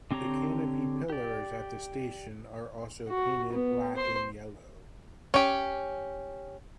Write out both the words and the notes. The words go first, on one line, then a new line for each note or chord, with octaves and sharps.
The canopy pillars at the station are also painted black and yellow.
D3 C4 G4 C#5 A#5
G4 D5
F#4
B3
C5 C6
C#4 G4